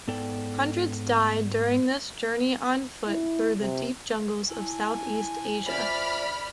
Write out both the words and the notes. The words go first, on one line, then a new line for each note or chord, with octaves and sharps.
Hundreds died during this journey on foot through the deep jungles of Southeast Asia.
G#2 B3 A4 D5 G5
E4
C3
E4 G#5 A5
F4 C5 D5 E5 B5 F6